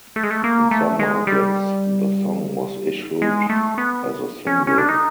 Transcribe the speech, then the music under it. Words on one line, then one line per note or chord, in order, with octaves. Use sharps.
In some markets, the song was issued as a single.
A3
G#3
A3
A#3
A3
G#3
G3
G#3
A3
B3
C#4
C#4
D4
D#4